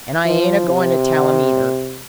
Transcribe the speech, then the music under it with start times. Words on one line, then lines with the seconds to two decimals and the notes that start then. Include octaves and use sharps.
And I ain't a-goin' to tell him, either!
0.25 F3
0.69 C3